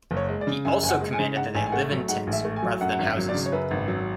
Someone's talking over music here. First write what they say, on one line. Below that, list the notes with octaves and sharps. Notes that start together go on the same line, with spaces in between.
He also commanded that they live in tents, rather than houses.
F#1
C#5
G#3
D5
C#3
F#2 G#5
F#1 G#5
F#5
G#3
G#5
C#3
G#2 F#5
A1 G#5
G#5
A3 F#5
F#3
G#2 F#5
A1
E5
A3
G#5
F#3
F#2 F#5
F#5
G#1
E5
F#3
D5
C#3
C#5
F#2 B4
G#1
F#3